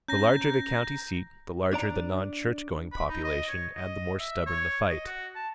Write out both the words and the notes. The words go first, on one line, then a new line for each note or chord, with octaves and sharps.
The larger the county-seat, the larger the non-church-going population and the more stubborn the fight.
C#4 A#5 G6 A#6
D4 D5 A#5
B5
D#4
D#5
C#5
D#5
E5
C#5
D#5
F#4
A5